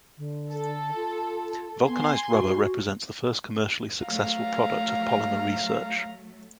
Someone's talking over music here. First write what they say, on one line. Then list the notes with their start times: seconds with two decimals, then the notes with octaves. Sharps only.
Vulcanized rubber represents the first commercially successful product of polymer research.
0.17 D3
0.52 A4
0.95 F4
1.87 B3 G#5 C6
2.30 F#4
4.06 F#3 A3 F5 A#5